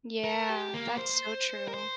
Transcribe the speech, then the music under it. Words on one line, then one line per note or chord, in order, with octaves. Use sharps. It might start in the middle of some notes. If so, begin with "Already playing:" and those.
Yeah, that's so true.
A#4
G4
A#3
C5
A#4
C5